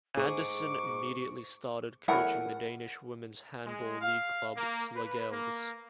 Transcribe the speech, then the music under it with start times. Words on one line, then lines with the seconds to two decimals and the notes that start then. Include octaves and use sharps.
Andersen immediately started coaching the Danish Women's Handball League club Slagelse.
0.17 G#2 G#4 C#6 D6
2.08 E2 A2 E4 A#4 F#5 G#5
3.66 G#3
4.01 F5
4.57 A#3
4.96 B4
5.32 A#3